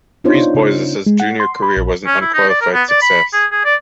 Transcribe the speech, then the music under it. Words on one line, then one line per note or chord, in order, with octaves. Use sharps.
Brisebois's junior career was an unqualified success.
B3 D4 D#4 F4 C5 C#5
C#3
G#3
F#5
C6
B5
A#1
C#4
E4
D#4
D5
A#4
B3
D5
B5
G#4
G#4
D5